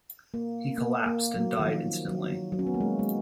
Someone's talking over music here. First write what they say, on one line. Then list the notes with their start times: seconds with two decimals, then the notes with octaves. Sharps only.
He collapsed and died instantly.
0.34 A#3
0.78 A#3
1.06 A#3
1.35 F#3
1.59 D#3
1.64 F3
2.08 F#3
2.52 F#3
2.59 C#4
2.67 B3
2.74 A#3
2.81 G#3
2.99 G#3